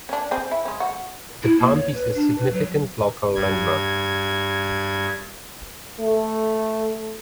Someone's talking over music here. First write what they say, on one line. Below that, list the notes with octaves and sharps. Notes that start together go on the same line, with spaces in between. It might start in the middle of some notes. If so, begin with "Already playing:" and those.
'The Pump' is a significant local landmark.
C#4 D4
C4 G#4
E4
G#3 C#4
F#4
E4
A#3
C#5
B4
D4
B4
F#3
G2 G#6
A3